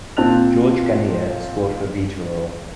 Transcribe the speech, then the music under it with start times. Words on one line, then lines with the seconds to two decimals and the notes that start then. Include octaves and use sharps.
George Ganea scored for Viitorul.
0.17 A#2 C4 A5 F#6 F7